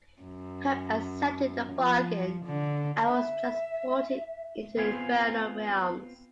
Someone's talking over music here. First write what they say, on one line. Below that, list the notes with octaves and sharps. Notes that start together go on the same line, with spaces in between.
Hope accepted the bargain and was transported into the infernal realms.
F#2
F3
D3
E5
B3 C4 F4 G#5